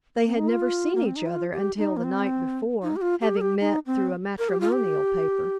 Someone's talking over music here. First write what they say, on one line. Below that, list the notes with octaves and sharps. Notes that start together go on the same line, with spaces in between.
They had never seen each other until the night before, having met through a matrimonial paper.
A#3
C4
D#4
F4
A#3
C4
D#4
F4
G4
D#4
A#3
C4
D#4
G4
F4
G4
A#4
G4
D#4
C4
A#4
G4
F4
G4